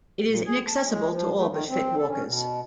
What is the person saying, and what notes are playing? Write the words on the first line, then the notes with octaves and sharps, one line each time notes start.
It is inaccessible to all but fit walkers.
A#2
G#4
A5
G#3
F3
A3
D#3
C4
A4
C#4
B2